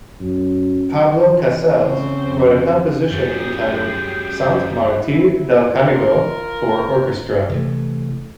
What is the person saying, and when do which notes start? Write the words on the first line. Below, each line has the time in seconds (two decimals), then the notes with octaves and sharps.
Pablo Casals wrote a composition entitled "Sant Marti Del Canigo" for Orchestra.
0.21 F#2
1.24 E3
1.80 C#3 C4 C5
2.26 F2
3.10 F#2 G3 C#4 G5
3.27 G3 G#4
5.02 E4
5.87 F4 A#4
7.50 C3 E3 A3